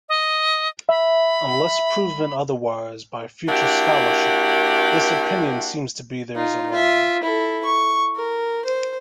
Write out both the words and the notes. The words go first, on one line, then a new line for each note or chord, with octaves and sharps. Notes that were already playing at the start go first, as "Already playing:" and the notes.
Unless proven otherwise by future scholarship, this opinion seems to be theirs alone.
D#5
E5 B5
A#3 D4 E4 F#4 G4 A#4
D#4 F4
F4 E5
E4 A4
C#6
A#4
C5